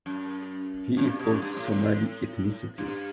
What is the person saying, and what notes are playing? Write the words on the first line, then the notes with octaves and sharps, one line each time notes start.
He is of Somali ethnicity.
F#2
F#2
G2
B2
F#2
G2
A2
A2
G2